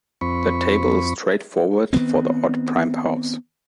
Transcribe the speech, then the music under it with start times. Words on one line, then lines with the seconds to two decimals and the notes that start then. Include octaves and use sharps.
The table is straight forward for the odd prime powers.
0.21 F2 C4 B5 C#6
1.93 D#3 F3 B3 C4